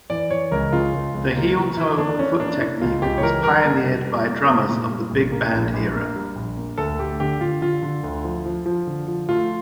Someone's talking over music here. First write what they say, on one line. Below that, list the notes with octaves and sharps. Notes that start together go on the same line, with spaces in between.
The heel-toe foot technique was pioneered by drummers of the big band era.
E3 D5
E3 C#5
C#2 A#4
C#3 F4
C#2
C#2
A#3
E3
E3 E4
A#3 D4
E3 C#4
A#3 D4
A#3 E4
C#2 F4
C#2 G4
C#5
E3 A#4
G3 A#4
A#3
G3
G3
A#3
A#3
A#2
G3
A#1
A#3
A#1
A#1
A#3
G3
A#1
A#3
D2 A4
A3 G4
D3 G4
D3 F4
D3 F4
D3
D2
F3
F3
F3
D3
F3
A3 F4